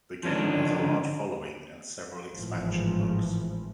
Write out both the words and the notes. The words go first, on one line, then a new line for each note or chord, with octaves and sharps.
The game has a large following and several expansion books.
D3 D#3 F3 C#4 D4
G#1 A2 E3 F3